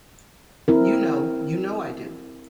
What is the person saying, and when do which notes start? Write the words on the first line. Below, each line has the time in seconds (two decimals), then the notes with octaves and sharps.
You know, you know I do!
0.68 C4 E4 A#4